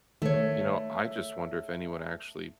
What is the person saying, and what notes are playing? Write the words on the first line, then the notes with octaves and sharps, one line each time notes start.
You know, I just wonder if anyone actually
D#3 A3 C#5